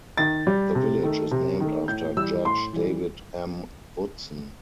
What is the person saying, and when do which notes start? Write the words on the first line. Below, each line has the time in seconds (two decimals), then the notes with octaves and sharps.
The village is named after Judge David M. Woodson.
0.17 D#3 A6
0.47 G3
0.75 C3
1.03 D#3 A3
1.31 C3
1.60 D#3 A3
1.88 A2 G6
2.17 E3 G3 E6
2.45 A2 C6
2.73 E3 G3